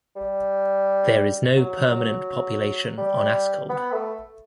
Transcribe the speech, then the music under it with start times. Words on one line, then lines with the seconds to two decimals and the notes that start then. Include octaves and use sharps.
There is no permanent population on Askold.
0.16 G3
1.57 F#3
1.91 F#3
2.98 G3
3.69 B3
3.92 A3